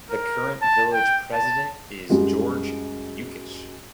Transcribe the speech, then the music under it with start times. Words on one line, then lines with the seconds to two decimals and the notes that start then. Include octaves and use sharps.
The current village president is George Yukich.
0.10 A#4
0.62 A5
0.93 G5
1.33 A5
2.09 F#2 G3 G#3 F#4